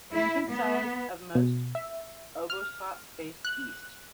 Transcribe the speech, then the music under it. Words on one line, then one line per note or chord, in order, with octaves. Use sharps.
The entrance side of most ubosots face east.
E4
B3
B2
E5
F6
F#6